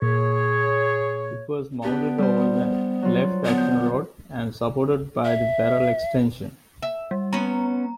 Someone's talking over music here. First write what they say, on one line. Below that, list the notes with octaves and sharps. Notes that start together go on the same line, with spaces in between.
It was mounted over the left action rod and supported by the barrel extension.
A#2 G#4 C#5
B3 D4 G4 B4
G3 C5
F#3 F4
D3 B3
G6
E5
E5
G3
B3 C#4 A#5